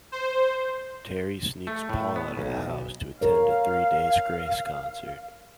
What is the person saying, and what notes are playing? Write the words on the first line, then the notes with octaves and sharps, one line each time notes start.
Terri sneaks Paul out of the house to attend a Three Days Grace concert.
C5
A3
A2
B3
B1
A#4 C#5 F5